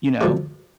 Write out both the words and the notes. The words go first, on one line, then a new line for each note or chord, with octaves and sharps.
you know,
F#2 D3 F3 G#3